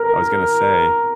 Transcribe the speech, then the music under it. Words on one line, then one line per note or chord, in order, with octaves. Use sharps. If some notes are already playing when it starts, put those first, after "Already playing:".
I was gonna say,
Already playing: A#4